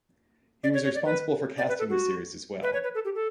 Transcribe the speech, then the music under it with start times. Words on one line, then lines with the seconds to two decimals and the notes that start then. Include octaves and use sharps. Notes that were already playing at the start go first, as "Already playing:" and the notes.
He was responsible for casting the series as well.
0.64 D5
0.74 C#5
0.84 C#5
0.95 D5
1.05 B4
1.58 D5
1.69 B4
1.79 A4
1.90 F#4
2.63 B4
2.73 C#5
2.84 B4
2.95 A4
3.05 G4
3.15 A4